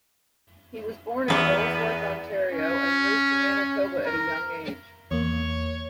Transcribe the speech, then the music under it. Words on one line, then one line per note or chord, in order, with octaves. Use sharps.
He was born in Molesworth, Ontario, and moved to Manitoba at a young age.
E2 G#2 B3
C#4
A#4
E2 A#3 C#5